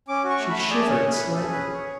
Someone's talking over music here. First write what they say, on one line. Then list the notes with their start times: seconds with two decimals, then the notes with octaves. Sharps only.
She shivered slightly.
0.08 C#4 D6
0.24 F#4
0.30 C#6
0.40 A3
0.50 B5
0.55 A3
0.70 G#4 D5
0.85 C#4
0.91 C#5
1.01 G#4
1.11 B4
1.17 C#4
1.32 G#4 A4
1.47 C#4 B4
1.62 G#4
1.73 C#5
1.78 C#4